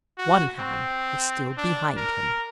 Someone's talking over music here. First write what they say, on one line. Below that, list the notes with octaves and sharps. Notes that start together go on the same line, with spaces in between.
One hand was still behind him.
F#4
C4
D4
A#4